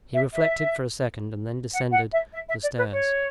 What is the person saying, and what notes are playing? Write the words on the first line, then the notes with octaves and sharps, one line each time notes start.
He reflected for a second and then descended the stairs.
E5
E5
F#5
F#5
E5
E5
E5
D5
B4
C#5